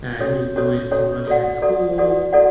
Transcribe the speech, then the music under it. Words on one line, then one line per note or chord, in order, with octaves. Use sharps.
Uh, he was doing some running at school,
C#4 F#4 A4 C#5
C#4 F#4 A4 C#5
C#4 F#4 A4 C#5
F#4 A4 D5 F#5
F#4 A4 D5 F#5
F#4 A4 D5 F#5
F#4 A4 D5 F#5